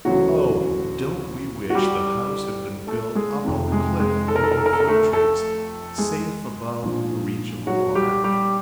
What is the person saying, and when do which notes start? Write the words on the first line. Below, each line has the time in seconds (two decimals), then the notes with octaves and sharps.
Oh, don't we wish the house had been built up on the cliff among the fir-trees, safe above the reach of the water!
0.05 D2 C#3 E3 F#3 F#4
1.70 F#4
1.75 G3 G4
2.87 A3 A4
3.15 G#3 G#4
3.44 F1 F2 C3 D#3
3.72 G#3 G#4
4.00 G#3 G#4
4.28 A4
4.36 A#4
4.44 A4
4.51 A#4
4.58 A4
4.66 A#4
4.73 A4
4.80 A#4
4.87 A3 A4
5.13 A3 A4
5.98 G#3 G#4
6.82 A#1 G#2 F3
7.67 F#3 F#4
7.95 G3 G4
8.24 G3 G4